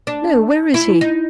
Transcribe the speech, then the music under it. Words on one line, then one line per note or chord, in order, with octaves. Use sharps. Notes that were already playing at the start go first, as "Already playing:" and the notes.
"No, where is he?"
D4
E4
D#4